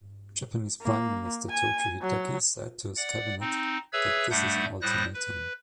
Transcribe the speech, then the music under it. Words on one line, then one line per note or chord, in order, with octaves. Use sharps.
Japanese Prime Minister Tojo Hideki said to his cabinet that this is an ultimatum.
A#3
G#5
F#3
D5 F#5
C4 D#4
G#4 B4 C#5 E5 E6 G#6
G2 G3 A3 D4 F#5 G6
A2 G3 C5 D#6 F#6 A#6
B4